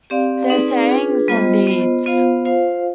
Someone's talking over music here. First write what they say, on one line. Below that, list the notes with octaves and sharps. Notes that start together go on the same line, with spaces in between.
Their sayings and deeds.
C4 G4 D5 F5
C4 D#4 G#4 B4 D5
D4 F4 G#4 B4
G3 B3 F4 C5 D#5
B3 F4 C5 D#5
B3 F4 C5 F5
F4 C5 F5